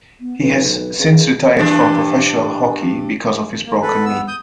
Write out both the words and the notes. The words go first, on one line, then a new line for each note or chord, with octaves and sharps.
He has since retired from professional hockey because of his broken knee.
B3
B1 B4
C#3
G2 E3 D4
A#3
A4 B4
B3 E6
D#6 G6